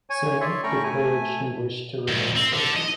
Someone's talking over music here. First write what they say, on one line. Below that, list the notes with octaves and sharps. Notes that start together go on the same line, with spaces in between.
Sinope declared she wished to remain a virgin.
C#5 G#5
C#5 D5 E5 C6
A3 C#4 G5 A#5 B5 C#6
A3 G#5
D2 G#2
C4
D3
D#5